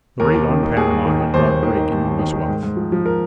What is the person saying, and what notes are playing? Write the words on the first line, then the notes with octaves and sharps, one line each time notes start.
The raid on Panama had brought Drake enormous wealth.
D#2 A#4
D#2
D#3
D#3
D#2 G#4
D#2
D#3
D#3
D#2 C5
D#2
D#3
D#3
D#2
D#2
D#3
D#3
G#2
G#2
F3
F3
A#4